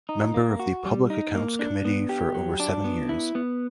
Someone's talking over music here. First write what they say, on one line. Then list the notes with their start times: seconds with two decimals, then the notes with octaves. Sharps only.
Member of the Public Accounts Committee for over seven years.
0.09 D#4
0.34 A#3
0.60 F#4
0.85 G3
1.10 D#4
1.35 A#3
1.59 D4
1.85 B3
2.09 G4
2.34 F#3
2.60 D4
2.84 B3
3.09 E4
3.35 B3